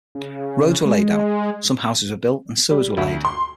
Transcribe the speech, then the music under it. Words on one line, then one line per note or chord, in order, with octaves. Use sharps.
Roads were laid out, some houses were built and sewers were laid.
C#3
G#3
G3
D2
C6